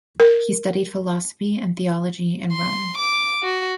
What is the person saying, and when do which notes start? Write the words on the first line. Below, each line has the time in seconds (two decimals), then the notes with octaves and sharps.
He studied philosophy and theology in Rome.
0.20 A#4
2.53 C6
2.98 D6
3.43 F#4